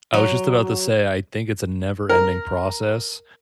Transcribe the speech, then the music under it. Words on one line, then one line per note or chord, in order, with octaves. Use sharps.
I was just about to say I think it's a never-ending process
F#3
A#4